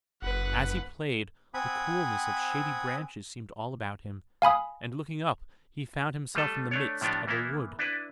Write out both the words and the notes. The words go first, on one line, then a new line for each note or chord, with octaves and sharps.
As he played, the coolness of shady branches seemed all about him, and looking up he found himself in the midst of a wood.
F#1 B4 F#5
C4 F#5 G#5 B5 D#6
F5 G#5 B5 D#6
G3 A3 F4 A4
A3 D4 C#5
A2 F3 B3 D4 G4
E3 A#3 B3 E4
D4 E4 B4